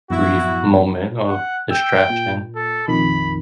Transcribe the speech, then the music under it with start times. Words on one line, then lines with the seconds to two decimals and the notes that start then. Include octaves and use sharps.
brief moment of distraction.
0.10 F#2 A2 F3 B3 E4 F#4
1.28 F#5
1.71 G5 E6 G6
2.10 A#2
2.56 A4
2.88 A#1 F2 D#3 B5